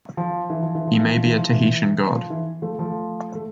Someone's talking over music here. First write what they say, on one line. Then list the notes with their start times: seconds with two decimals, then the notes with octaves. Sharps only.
He may be a Tahitian god.
0.17 F3
0.50 E3
0.63 F3
0.75 E3
0.87 F3
1.00 E3
1.12 F3
1.25 E3
1.37 F3
1.50 E3
2.13 F3
2.30 E3
2.62 F3 A3
2.79 F3 A3
3.35 A3